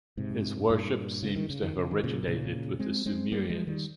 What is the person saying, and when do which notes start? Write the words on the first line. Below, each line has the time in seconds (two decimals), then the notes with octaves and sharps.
His worship seems to have originated with the Sumerians.
0.17 G#2 C3
0.70 G2 A#2
1.23 C#3
1.36 D#3
1.50 C#3
1.63 D#3
1.77 C#3
1.91 D#3
2.04 A#2 C#3
2.23 C3
2.27 A#2 C#3
2.79 G#3 C4
3.06 G#3 C4
3.32 G3 A#3
3.50 F3 G#3
3.67 D#3 G3